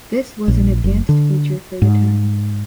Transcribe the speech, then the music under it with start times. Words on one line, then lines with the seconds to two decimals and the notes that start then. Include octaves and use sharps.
This was an advanced feature for the time.
0.48 A#1
0.84 F#1
1.09 D3
1.82 G#2